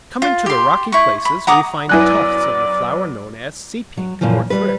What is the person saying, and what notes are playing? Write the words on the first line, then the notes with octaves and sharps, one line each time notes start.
Coming to the rocky places, we find tufts of the flower known as Sea Pink or Thrift.
F4
G4 C6
E4 C#6
B5
F#5 A#5 D6 D#6
F#2 F#3 B3 E4 D5 G#5 F#6
F#3
F#2 A#2 C#3 E3 F3
G3 B4